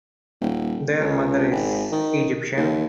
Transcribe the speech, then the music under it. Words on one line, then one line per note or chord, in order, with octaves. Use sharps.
Their mother is Egyptian.
D#1
C#2
G#1
D#3
D#2